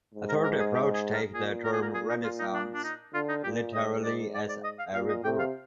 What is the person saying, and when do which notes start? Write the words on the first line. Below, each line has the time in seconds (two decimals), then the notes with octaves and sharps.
A third approach takes the term "Renaissance" literally as a "rebirth".
0.14 G#2
0.29 A#4
0.44 A#4
0.59 G#4
0.74 G4
0.94 G#4
1.14 A#4
1.34 A#2 G#4
1.64 A#4
1.73 G#4
1.82 A#4
1.94 G#4
2.09 D#4
2.24 F4
2.39 D#4
2.54 D4
2.74 D4
2.84 D#4
3.14 D3 F4
3.29 D#4
3.44 A#2 G4
3.74 G#2 D#5
4.04 D5
4.34 D5
4.49 D5
4.64 D#5
4.79 F5
4.94 A#2 F5
5.09 D#5
5.24 C3 G5
5.39 F5